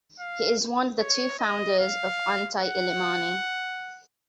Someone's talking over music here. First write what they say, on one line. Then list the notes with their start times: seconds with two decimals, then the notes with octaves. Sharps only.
He is one of the two founders of Inti-Illimani.
0.20 F5
0.99 C#5
1.39 D#5
1.79 F5
2.59 F#5